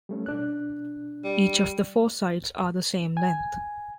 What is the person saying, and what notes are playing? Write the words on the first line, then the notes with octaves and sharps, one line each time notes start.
Each of the four sides are the same length.
G3 A3 C#4
B2 D4 F#6
G3
G#5